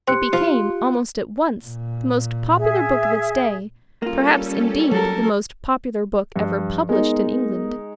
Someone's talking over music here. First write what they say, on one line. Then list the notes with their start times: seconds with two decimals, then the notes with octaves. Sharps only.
It became, almost at once, the most popular book of its day, perhaps, indeed, the most popular book ever published in England.
0.08 C4 G4 C6 F#6 C#7
0.33 F3 F4
1.62 A#2
2.58 G#4 E5
4.02 G3 A#3 C#4 F4 A4
4.91 F#3 A4 A#4
6.36 G2 F3
6.89 G#3 B3 D#4 A#4 D#5